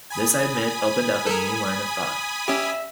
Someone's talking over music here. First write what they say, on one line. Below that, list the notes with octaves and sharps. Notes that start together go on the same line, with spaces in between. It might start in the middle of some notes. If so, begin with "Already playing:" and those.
This, I admit, opened up a new line of thought.
G#5 B5 D#6
A4 A#4
C#4 G4 E5